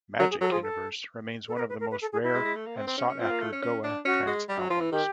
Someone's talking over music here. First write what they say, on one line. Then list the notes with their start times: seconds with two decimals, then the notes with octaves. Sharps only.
Magick Universe remains one of the most rare and sought after Goa trance albums.
0.19 F#3 A#4
0.30 G#4
0.41 F#3 A4
0.51 F3 G#4
0.62 A4
1.48 A4
1.55 B4
1.59 A#4
1.69 B4
1.80 A#4
1.91 B4
2.01 A4
2.12 G#4
2.23 E4
2.34 G#3
2.45 G#3
2.56 A3
2.66 A#3
2.76 C4
2.87 C4
2.98 C#4
3.09 C#4
3.20 C4 F4
3.31 A#3
3.41 A3
3.52 C#4
3.62 C#4
3.84 D4
4.05 C#4 F#4
4.27 G#3
4.48 G3
4.59 F#3
4.70 F3
4.80 E3
4.91 D#3 G4